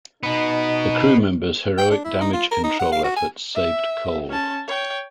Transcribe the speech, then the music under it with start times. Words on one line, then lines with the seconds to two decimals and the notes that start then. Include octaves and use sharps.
The crewmember's heroic damage control efforts saved "Cole".
0.23 B2 B3 D#4
1.78 G5
1.91 D4
2.05 E4
2.21 D#4
2.33 F4
2.52 A#4
2.64 D#4
2.80 F#5
2.92 F5
3.04 F#4
3.16 G#5
3.55 E5
4.29 C#4 A5
4.68 C#5 G5